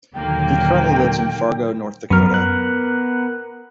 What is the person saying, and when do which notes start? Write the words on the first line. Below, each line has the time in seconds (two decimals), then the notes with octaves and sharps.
He currently lives in Fargo, North Dakota.
0.14 D#2 A#2 D3 D#3 F#3 A#3 G5
2.10 F#2 B3 A#4 F6
2.34 F#6